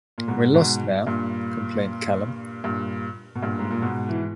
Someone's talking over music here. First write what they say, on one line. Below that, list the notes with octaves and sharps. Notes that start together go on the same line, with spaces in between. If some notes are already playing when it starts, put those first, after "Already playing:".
"We're lost now," complained Callum.
A#2
G#2 B2
G#2 B2
G2 A#2
G2 A#2
B2
G2 A#2
G#2
A#2
G#2 B2
E3